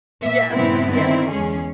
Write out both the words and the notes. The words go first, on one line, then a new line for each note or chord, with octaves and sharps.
Yes. Yes.
A#2 E5
G2 A#2 C#3 B3 C4 E4
D3 D#3 C4 E4
E2 G#3 C#4 G#4